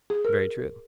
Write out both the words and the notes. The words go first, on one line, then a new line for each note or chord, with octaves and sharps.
Very true.
G#4
A#4